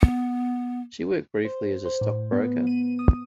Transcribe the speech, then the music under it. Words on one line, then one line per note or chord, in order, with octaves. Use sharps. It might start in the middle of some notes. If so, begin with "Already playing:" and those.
She worked briefly as a stockbroker.
B3
C5
C5
A2
B3
D#7
D#6